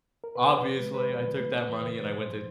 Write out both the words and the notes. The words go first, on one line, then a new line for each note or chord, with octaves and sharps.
obviously, I took that money and I went to
A#4
C#3 B4
F3
C#3
G#3
D3 B4
F3
D3
A3
C#3
E3
C#3
A3
A#2 C5
F3